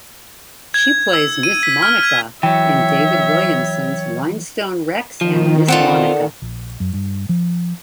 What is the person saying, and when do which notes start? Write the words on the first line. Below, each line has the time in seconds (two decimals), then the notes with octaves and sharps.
She plays "Miss Monica" in David Williamson's "Rhinestone Rex and Miss Monica".
0.74 G#6
1.13 E6
1.43 D#7
1.63 B6
1.82 F6
2.03 G#6
2.43 E3 F#3 C#5 E5 G5
5.21 D#3 F3
5.68 C4 F4 A4 D5 F#5
6.42 A#1
6.80 F#2
6.93 G2
7.29 F3